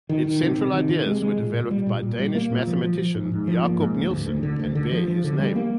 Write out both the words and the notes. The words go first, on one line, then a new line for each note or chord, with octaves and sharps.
Its central ideas were developed by Danish mathematician Jakob Nielsen, and bear his name.
D#3
D#3
C3
C3
D#3
C3
G#3
G#3
A#2
A#2
G3
A#2
A#2
G3
A#3
A#2
F3
F3
F3
G#2
G#2
F3
A#3
G#2
D2
D2
D2
D3
D2
D3
F3
F3
D3
G3
A#3